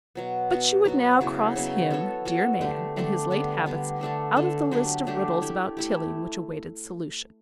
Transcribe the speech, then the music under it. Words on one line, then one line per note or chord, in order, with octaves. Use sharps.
But she would now cross him--dear man--and his late habits, out of the list of riddles about Tilling which awaited solution.
B2 F#3 B3
F#3 B3 F#4
F#3 B3 F#4
C#3 F#3 B3 E4
C#3 F#3 B3 E4
B3 F#4 A4 C#5
B3 F#4 A4 C#5
D3 A3 D4 G4
D3 A3 D4 G4
D3 G3 B3
D3 G3 B3
D3 A3 D4 A4
D3 A3 D4 A4
F#3 A3 D4 G4
F#3 A3 D4 G4
A3 E4 G4
A3 E4 G4